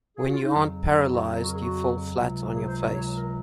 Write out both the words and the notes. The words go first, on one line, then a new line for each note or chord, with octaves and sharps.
When you aren't paralyzed, you fall flat on your face.
G#4
F#4
F4
D#4
F2 C#3 F#3 C#4
F#4
F#4
A#4
G#4
F#4
C#2 C3 F#3
G#4
C5
C#5
C#5
A#4